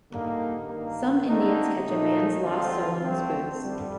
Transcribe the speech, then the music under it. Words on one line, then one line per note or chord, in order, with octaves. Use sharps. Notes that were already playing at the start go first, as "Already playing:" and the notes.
Some Indians catch a man's lost soul in his boots.
D3 G3 A#3 D#4
G2 D#3 A#3
D3 A3 C4 D#4
A#2 A3 D#4
D2 D3 F3 C4 F4
D2 D3 A3 C4
F2 D3 G3